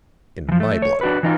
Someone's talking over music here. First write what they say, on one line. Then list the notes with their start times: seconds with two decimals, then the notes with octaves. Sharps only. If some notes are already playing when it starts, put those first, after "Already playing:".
In my blood!
0.49 E3 F3
0.60 A3
0.82 C#5
1.01 D4 F#4 B4
1.23 E3 D#4 F4